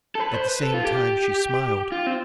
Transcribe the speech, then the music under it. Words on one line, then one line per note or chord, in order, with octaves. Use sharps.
At the same time she smiled.
A4
B4
C5
B4
A4
F4
G4
F4
C4